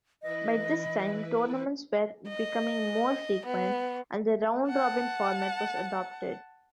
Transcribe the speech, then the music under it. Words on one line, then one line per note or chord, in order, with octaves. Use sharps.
By this time tournaments were becoming more frequent, and the round-robin format was adopted.
E3 E4 B4 D#5
D#5
B3
F#5 A5